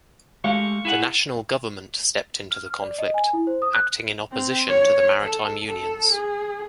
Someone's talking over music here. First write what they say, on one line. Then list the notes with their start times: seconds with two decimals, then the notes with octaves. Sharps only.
The National government stepped into the conflict, acting in opposition to the maritime unions.
0.44 G#3 A3 G4 F5 C#6
0.85 E4 G#4 F#5
2.51 F6
2.66 F6
2.82 D5
2.99 D#5
3.14 G#5
3.33 E4
3.47 C5
3.62 D#6
3.73 F#6
4.32 C4
4.68 C#5
5.23 A4
5.66 A4
6.12 G#4